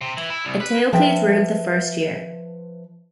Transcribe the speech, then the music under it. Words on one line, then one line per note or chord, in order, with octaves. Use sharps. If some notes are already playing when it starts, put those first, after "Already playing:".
Eteocles ruled the first year.
C3
E3
E4
C2
B4
F3 B4 E5 G5 A5